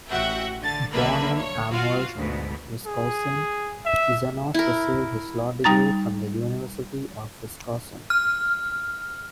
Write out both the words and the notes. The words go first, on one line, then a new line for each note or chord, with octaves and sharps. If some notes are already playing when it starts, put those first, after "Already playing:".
Born in Amherst, Wisconsin, Zenoff received his law degree from the University of Wisconsin.
A1 F#4 E5 F#5 G5
D3 A6
B1 D3 A#3 B4 E5 B5
C#5
F4 F#4 F5
D2 G#2 B2
G#4
E5
E4 A#4
G3 D#4 A#5 A6
F6